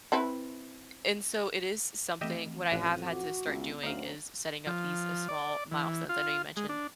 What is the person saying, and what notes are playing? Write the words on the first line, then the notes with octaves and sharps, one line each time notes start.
and so it is s something what I have had to start doing is setting up these s small milestones. I know you mentioned
C4 E4 B4
E3 A3 C4 G4 D#5 E5
A1 F2 F#6 D#7
F#4 D6
C#2 B3
D2 F#3 C4 C#4 D#4 F5 F#7
F3
D5
E3
F4
G#3
D4